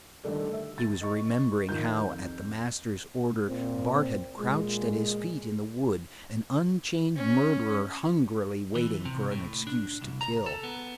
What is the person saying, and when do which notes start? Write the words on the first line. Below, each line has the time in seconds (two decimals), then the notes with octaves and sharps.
He was remembering how, at the master's order, Bart had crouched at his feet in the wood, an unchained murderer hungrily waiting for an excuse to kill.
0.24 D3 D#3 G3 A3 D5
0.53 E5
0.78 A6
1.01 D#5 C#6
1.69 D#2 F3 D#4 F4 A#4 G6
2.08 F2
3.48 A#2 C4
4.38 A#2 G#3
7.15 C#4
8.75 E3
9.05 C3
9.32 A2
9.67 D4
10.01 C2
10.21 A#5
10.46 A4
10.63 B3